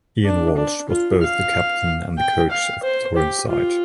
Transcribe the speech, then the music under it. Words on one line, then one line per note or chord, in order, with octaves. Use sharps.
Ian Walsh was both the captain and the coach of the touring side.
D4
D4
F4
F5
G5
F5
C5
G4
F4